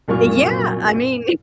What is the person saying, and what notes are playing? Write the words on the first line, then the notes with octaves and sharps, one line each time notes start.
Eh yeah. I mean,
C2 F#2 A#2 F#3 C#6 F6